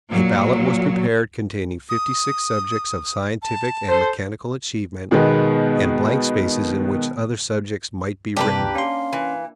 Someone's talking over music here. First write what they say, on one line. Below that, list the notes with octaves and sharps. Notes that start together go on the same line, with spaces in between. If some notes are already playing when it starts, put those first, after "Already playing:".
A ballot was prepared containing fifty-six subjects of scientific and mechanical achievement and blank spaces in which other subjects might be written.
A#2 F#3
D#6
A5
A4 C5
B2 D#3 G#3 B3
G2 C3 A#3 D4 G4 A4 B4
C#4 F5 C6
E3